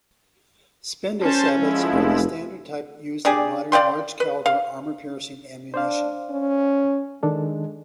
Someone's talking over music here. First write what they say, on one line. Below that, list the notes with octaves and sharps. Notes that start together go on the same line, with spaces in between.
Spindle sabots are the standard type used in modern large caliber armor-piercing ammunition.
C#4 C5 A5
F3 G#3 E4
F1
D4 G4 G#4 D5
D5 F5 G5 C6
B4
F5
D4 C5 D5 F5
C#4
D#3 G#3 D4 A4